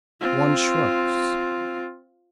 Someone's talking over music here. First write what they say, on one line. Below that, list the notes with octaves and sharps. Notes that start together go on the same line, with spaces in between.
One shrugs.
C4 F4